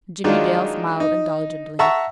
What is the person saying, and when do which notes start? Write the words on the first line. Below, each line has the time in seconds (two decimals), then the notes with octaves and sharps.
Jimmie Dale smiled indulgently.
0.24 D#3 F#3 G#3 D4 D#4 F4
1.00 D#4
1.79 E5 F#5 A5 A#5 C#6 E6